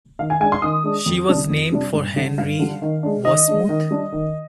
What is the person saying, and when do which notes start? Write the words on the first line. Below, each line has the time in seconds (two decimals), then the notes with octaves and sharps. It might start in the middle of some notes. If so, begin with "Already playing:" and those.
She was named for Henry Wasmuth.
0.19 D#3 F5
0.30 G#5
0.40 G#3 D4 G#5
0.52 C6
0.62 D#3 D#6
0.84 G#3 D4
1.06 F2
1.29 C3 G3 D4
1.50 F2
1.72 C3 G3 D4
1.93 G2
2.16 D3 G3
2.38 G2 F5
2.59 D3 G3
2.82 D#3
3.03 G#3 D4
3.25 D#3 D#5
3.48 G#3 D4
3.69 D#3
3.91 G3 D4
4.12 D#3